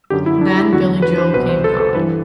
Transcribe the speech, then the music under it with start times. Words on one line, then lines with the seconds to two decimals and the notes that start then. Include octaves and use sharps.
Then Billy Joel came calling.
0.10 F#2 D3 G4
0.26 E4
0.41 D4
0.58 E4
0.72 E2 D3 F#4
1.02 B4
1.18 C5
1.33 C2 B2 B4
1.49 C5
1.64 A4
1.80 A4
1.95 G2 E3 B4